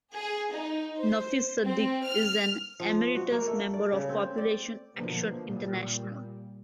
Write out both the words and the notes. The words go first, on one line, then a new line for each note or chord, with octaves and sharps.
Nafis Sadik is an Emeritus Member of Population Action International.
G#4
D#4
C5
C4
F6
F3
F#4
A#3
A3
D5
C#3
C4
D5
B2 D3 F3 A#3 B3
A#2 G3